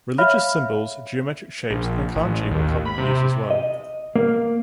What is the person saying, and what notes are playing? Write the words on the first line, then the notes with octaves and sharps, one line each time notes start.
Religious symbols, geometric shapes and kanji were commonly used as well.
C#5 E5 F5 B5 F6
A#1
A1
D#2
B5
C3
D#5
A#3